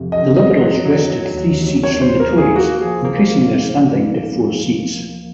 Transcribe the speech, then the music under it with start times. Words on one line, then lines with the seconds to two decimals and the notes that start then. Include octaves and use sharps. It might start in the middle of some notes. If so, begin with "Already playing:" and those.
The Liberals wrested three seats from the Tories, increasing their standing to four seats.
Already playing: F2 C3
0.12 F2 D#5
0.36 F#3 D#5
0.61 F#3
0.85 F#3
1.10 F#3
1.34 D#2
1.58 D#2
1.83 D#3 C#5
2.02 C5
2.07 F#3
2.20 A#4
2.32 A#3
2.38 G#4
2.56 A#3 F#4
2.81 F3 G#4
3.05 A#3 C5